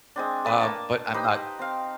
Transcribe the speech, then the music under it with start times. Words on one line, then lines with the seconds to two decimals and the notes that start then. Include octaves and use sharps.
um, but I'm not
0.16 G#3 C4 D4
0.45 A4 B4
0.60 A#3 A5
1.14 D#4 G4 B4 C5
1.59 C4 F5